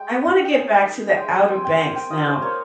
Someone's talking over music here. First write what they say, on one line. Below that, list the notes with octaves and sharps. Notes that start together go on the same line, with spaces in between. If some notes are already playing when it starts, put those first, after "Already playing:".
I wanna get back to the Outer Banks now,
Already playing: G#3 G5
D#4
G5
A#3 G#5
D#4
G#5
G#3 G5
G#5
C4 G5
G5
A#3 G#5
G5
F4 D#5
C5
A#3 C#5